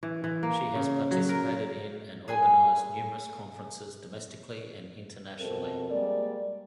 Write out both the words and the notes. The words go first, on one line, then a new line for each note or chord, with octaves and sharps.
She has participated in and organized numerous conferences domestically and internationally.
E3
E3
A#3
C#3
F#3
A#4
G#4 B4 E5 G#5
F2 B2 C4 A4 A#4
G3 G#3 A#3 D5